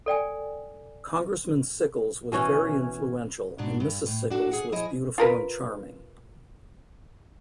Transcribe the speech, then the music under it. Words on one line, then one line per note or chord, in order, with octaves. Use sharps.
Congressman Sickles was very influential and Mrs. Sickles was beautiful and charming.
A4 D5 G5 G#5
B2 E3 C#4
G#2 B2 D4
G2
A2
D4 F#4 A4
G#4 F#5
F3 E4 G#4 D#5
F4 A#4 B4